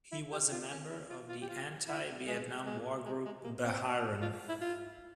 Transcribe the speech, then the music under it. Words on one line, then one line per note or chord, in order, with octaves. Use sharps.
He was a member of the anti-Vietnam War group Beheiren.
E4
G4
F4
C#4
E4
F4
F4
G4
F4
E4
G#3
G#3
G#3
G#3
A#3
C4
F4
E4
F4